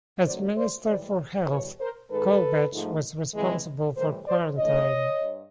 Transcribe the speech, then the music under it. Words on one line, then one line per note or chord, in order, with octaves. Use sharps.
As minister for health, Colebatch was responsible for quarantine.
F#2 D#3 F#3 A3 C5 D5
C5 D5
A2 E3 G3 C5 D5
E2 B2 G3 B4 C#5
A#4 C5
G#2 D#3 G#3 A4 B4
G#2 F3 A3
E2 C3 E3 G#3
A2 E3 G3 A#4 C5
C5 D5
G2 E3 A3 C#5 D#5
G2